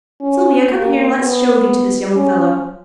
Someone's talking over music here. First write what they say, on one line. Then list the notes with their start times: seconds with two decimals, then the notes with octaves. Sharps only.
Sylvia, come here, an let's show thee to this young fellow!'
0.21 C#4
0.70 A#3
1.19 B3
2.16 C#4